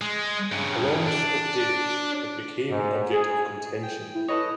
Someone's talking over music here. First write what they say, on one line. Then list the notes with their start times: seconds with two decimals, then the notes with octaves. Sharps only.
Halland spoke Danish, but it became an object of contention.
0.01 G#3
0.52 G2 C#3
1.06 D4
2.69 G#2
3.11 G#4
3.83 G5
4.15 E4
4.29 A4 B4 C#5 D#5 D#6